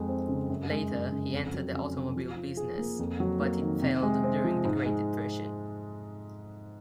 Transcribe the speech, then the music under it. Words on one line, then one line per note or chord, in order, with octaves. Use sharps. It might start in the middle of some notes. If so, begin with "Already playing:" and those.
Later, he entered the automobile business, but it failed during the Great Depression.
Already playing: F2 G#3
C4
C#3
F#2
G#3
F#2
C#3
F2
F#3
C#4
C3
F3
F4
G#4
A#3
F2
F#3
A#3
D#3
C3
G#3
C4
F3
G#2
G#3